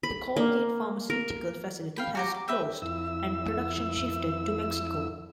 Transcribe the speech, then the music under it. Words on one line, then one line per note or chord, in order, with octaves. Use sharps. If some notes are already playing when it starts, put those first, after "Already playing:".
The Colgate pharmaceutical facility has closed and production shifted to Mexico.
B5
A#3
A#4
F5 G5 B5
F#4 G4 A#5
D6
B4 E5 G5
F2 E4 E6